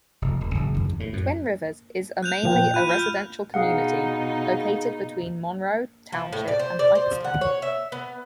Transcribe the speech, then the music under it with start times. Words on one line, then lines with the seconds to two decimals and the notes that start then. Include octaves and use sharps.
Twin Rivers is a mainly a residential community located between Monroe Township and Hightstown.
0.22 F1
0.41 D#1
0.55 F#1
0.74 F#1
0.86 E2
1.00 A2
1.13 F#2
2.23 F#6 G6 F7
2.43 A#2 F3 G5
2.74 F4 B5 F#6 D#7
2.89 F6 G6
3.54 B2 D#4 G#4 F5 F#5
6.12 F3
6.33 A2
6.48 D5
6.59 C5
6.79 D5
6.95 C5
7.11 F3
7.24 F#5
7.41 C#5
7.62 E5
7.92 B3